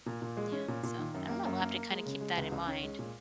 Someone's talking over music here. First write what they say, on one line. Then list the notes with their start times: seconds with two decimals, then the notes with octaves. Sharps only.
Yeah, so I don't know, we'll have to kinda keep that in mind.
0.06 A#2
0.22 A#2
0.37 G#3
0.52 C#4
0.68 A#2
0.83 A#2
0.98 D#3
1.14 F#2
1.29 A#3
1.45 F#2
1.60 A#3
1.75 A#3
1.90 G#3
2.06 C#3
2.21 G#3
2.37 C#2
2.52 C#2
2.67 C#4
2.83 G#3
2.99 A#2